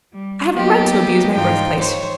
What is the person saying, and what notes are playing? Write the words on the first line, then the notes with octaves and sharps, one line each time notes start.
I have a right to abuse my birth-place.
G3
F#3 A#3 B3 D#4 G4
G#2 E3 D#4 F4 G5
C5 C#5